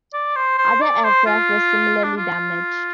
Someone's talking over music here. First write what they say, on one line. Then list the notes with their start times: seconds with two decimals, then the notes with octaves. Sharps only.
Other aircraft were similarly damaged.
0.13 D5
0.36 C5
0.58 C5
0.81 D5
1.04 C5
1.26 F4
2.04 D4
2.18 F4